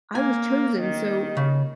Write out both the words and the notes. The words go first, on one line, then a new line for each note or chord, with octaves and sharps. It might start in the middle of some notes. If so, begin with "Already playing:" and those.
I was chosen, so,
A#3 G#5
D#3
C#3